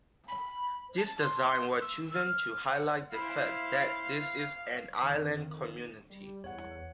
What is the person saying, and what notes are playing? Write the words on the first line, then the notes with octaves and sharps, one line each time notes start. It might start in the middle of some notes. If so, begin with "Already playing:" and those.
This design was chosen to highlight the fact that this is an island community.
B5
A5
C6
E6
F6
F#5
E4 C5 F5
F2 D#3
G3
E2 C#5 F#5